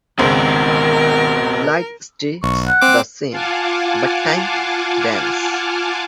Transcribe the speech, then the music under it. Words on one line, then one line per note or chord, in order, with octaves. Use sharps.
Light stays the same, but time bends.
G#1 C#2 B2 D#3 C4 A#4
B1 C#6
F#5
C4 D6
F4 F5 F#5 G#5 A5 D6